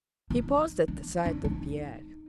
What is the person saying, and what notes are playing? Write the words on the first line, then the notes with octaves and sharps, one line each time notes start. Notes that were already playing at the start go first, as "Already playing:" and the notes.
He paused at the sight of Pierre.
D#4
D4
D4
D#4